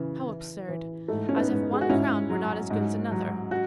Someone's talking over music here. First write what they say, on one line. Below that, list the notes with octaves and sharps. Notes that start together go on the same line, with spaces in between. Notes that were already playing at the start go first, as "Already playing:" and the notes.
How absurd--as if one crown were not as good as another.
Already playing: C#3 E3
E3
E3
G#2 A3
C#4
B3 D#4
G#2
G#4
F#4
G#2 C#4 E4
F#3
G#2
F#3
F#4